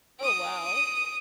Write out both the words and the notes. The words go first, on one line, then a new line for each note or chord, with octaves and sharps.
Oh, wow.
D#6 D7